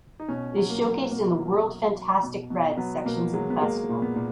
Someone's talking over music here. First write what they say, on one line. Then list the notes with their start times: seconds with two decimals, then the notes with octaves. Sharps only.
It is showcased in the World Fantastic Red sections of the festival.
0.20 D#4
0.28 B2 C#4
0.56 F#3
0.69 A#3
0.83 F#3
1.11 B2 A#3
1.39 F#3
1.67 F#3
1.94 F#3
2.23 B2
2.50 B2
2.77 F#3 B3
3.05 B2 A#3
3.33 F#3 G#3
3.50 B3
3.61 G#3 A#3
3.89 A#2
4.02 B3
4.16 A#2